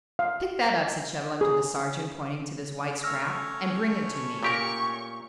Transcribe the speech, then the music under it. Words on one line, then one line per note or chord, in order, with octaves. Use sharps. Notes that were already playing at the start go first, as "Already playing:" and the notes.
"Pick that up," said Chauvelin to the sergeant, pointing to this white scrap, "and bring it to me."
F5
G#4
A3 C#4 C#5 E6 F6 A#6
A#2 G4 A#4 C#6